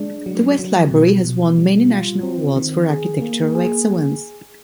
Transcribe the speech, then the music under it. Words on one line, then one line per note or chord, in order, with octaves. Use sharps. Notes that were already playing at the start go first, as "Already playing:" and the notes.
The West Library has won many national awards for architectural excellence.
Already playing: G#3 D4
F#3
F#3
B2
B2
G3
F4
C4
D#3
G#4
A#3
G#4